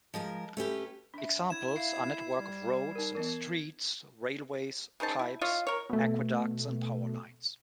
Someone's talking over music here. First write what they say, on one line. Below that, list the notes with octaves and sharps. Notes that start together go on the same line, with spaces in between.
Examples are network of roads and streets, railways, pipes, aqueducts, and power lines.
F3 G#3 A#4
A3 C#4 G4 B4
D4 E5
E4 G#6 E7
E5 F5 C7
G3
D#4 A#4
E3 B3 A#4 D#5
C#3 D#4 C5 A5
E4
F4 C#5 D#5 F5
A#4 C#5
B2 A3